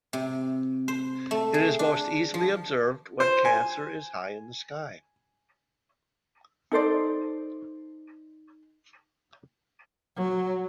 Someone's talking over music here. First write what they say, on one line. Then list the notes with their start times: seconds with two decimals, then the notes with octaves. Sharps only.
It is most easily observed when Cancer is high in the sky.
0.13 C3
0.88 C5
1.31 A3
1.54 G#4
1.79 D4
2.34 F3
3.20 C5
3.45 G#5
6.72 D#4 A4 C5 D5
10.16 F#3